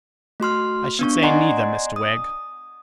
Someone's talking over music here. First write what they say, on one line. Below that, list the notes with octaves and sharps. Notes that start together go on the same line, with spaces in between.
'I should say neither, Mr Wegg.'
A3 F#4 C6 F6
B3 D4 C#6
D5 D#5 F#5 G#5 A#5 C6
D#6